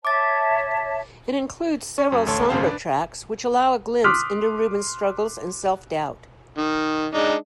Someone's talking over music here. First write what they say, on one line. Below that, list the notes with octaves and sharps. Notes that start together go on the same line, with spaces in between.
It includes several somber tracks which allow a glimpse into Reuben's struggles and self-doubt.
C#5 E5 A5 D6 A6
C#4 C#6
F#2
A1 D2 A4 C#5 A5 C6
G#1 F#2 C#3 C5 F5 A5
D4 B4 D5
C6 D6 D#6 F6 F#6 B6
D#3
G#3 D4 D#4